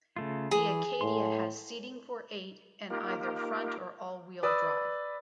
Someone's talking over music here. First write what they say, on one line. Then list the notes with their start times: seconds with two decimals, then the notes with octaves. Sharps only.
The Acadia has seating for eight and either front or all-wheel drive.
0.16 C#3 A3 F4
0.51 E3 G#4
1.01 A2 C6
2.90 A#3 D#4 F4 G4 A#4
4.43 B4 D5 D#6 E6